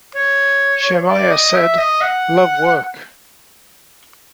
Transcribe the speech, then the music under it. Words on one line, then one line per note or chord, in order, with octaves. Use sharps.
Shemaiah said: Love work.
C#5
D5
D#5
E5
D#5
F#5